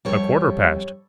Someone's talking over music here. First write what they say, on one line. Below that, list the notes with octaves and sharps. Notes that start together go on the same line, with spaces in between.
A quarter past.
F2 C3 G3 C#5